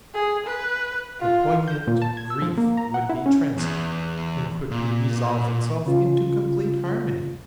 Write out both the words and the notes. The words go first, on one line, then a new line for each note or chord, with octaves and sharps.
The poignant grief would be transient and quickly resolve itself into complete harmony.
G#4
B4
F4
G6
A#2
A5
G#6
E6
F3
A#3
A#5
F#5
E4
C#4
E2
A#2
C#3 F4